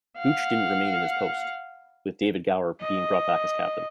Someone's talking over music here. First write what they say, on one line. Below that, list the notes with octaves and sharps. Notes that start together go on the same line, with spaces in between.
Gooch didn't remain in his post, with David Gower being brought back as captain.
F5 F#5
D#5